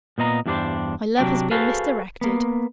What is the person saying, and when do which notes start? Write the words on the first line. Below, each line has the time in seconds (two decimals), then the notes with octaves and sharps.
My love has been misdirected.
0.18 A#2 B3 D#5 A#5
0.46 E2 G2 G3 D4 G4 C5
1.17 C3 F#3 B3 D4 G5
1.51 F#4 G#4 A4 B4 C5 F5
2.21 A#3 B3